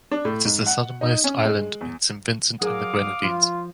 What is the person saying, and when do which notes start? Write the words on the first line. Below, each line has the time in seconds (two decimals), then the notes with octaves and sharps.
It is the southernmost island in Saint Vincent and the Grenadines.
0.12 D4
0.25 A2
0.45 G#2
0.67 F#5
1.01 D#4
1.24 C#4
1.45 G#3
1.81 E2
2.61 F#3 G#4 A#4 F5 D6 D#6
3.23 F3 F4